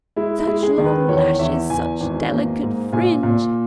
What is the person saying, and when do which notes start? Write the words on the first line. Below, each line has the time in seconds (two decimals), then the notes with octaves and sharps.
Such long lashes, such delicate fringe!
0.16 G#3 E4
0.39 E4
0.48 G#3
0.63 G#4
0.78 D#3
0.85 B4
1.08 E2 C#5
1.39 E2 E5
1.70 E2 G#5
2.00 G#1
2.31 A#3
2.62 G#2
2.92 A#2 G#5
3.23 A#2